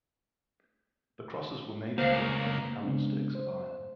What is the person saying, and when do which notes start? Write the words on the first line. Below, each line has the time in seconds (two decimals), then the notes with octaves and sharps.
The crosses were made of wood and the candlesticks of iron.
1.98 C#2 A#3 C5 F5
2.83 C#3 G#3 B3 C4 D4
3.35 C5